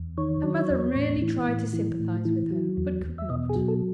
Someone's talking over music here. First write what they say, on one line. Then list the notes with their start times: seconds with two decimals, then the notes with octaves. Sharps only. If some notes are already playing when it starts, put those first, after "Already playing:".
Her mother really tried to sympathise with her, but could not.
Already playing: E2
0.18 D#3 C#5
0.43 F#3
0.70 E2
0.95 A2
1.22 E3
1.48 A2
1.73 E3
2.00 A2
2.25 E3
2.51 F#3
2.77 E2
3.04 E2
3.18 E5
3.30 B2 D#5
3.49 G#4
3.56 F#3
3.68 A4